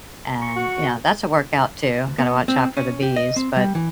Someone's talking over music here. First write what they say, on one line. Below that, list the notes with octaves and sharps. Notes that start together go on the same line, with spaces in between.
and, you know, that's a workout too, gotta watch out for the bees, but
C#6
F#4
D2
B3
C4
C#4
G4
D#5
C4
G3
E3